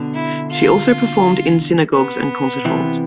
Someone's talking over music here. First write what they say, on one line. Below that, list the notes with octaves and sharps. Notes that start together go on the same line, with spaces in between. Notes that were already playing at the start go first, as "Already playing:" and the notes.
She also performed in synagogues and concert halls.
Already playing: B2 D3
E4
F4
B3
C3 E3